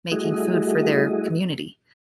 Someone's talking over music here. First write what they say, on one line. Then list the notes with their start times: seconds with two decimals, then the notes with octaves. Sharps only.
making food for their community.
0.12 G3 A3 E4 F#4 G#4 D#5